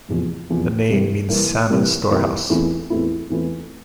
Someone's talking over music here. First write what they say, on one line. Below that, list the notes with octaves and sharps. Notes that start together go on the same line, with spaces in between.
The name means "salmon storehouse".
F1 E2 C3 F3
F1 E2 C3 F3
C2 C3 E3 G3 A#3
C2 C3 E3 G3 A#3
C2 C3 E3 G3 A#3
C2 C3 E3 G3 A#3
E2 E3 A3 C4 E4
E2 E3 A3 C4 E4
E2 E3 A3 C4 E4